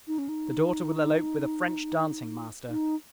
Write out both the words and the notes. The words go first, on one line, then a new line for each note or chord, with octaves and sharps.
The daughter will elope with a French dancing-master.
D#4
C#4
D#4
D#4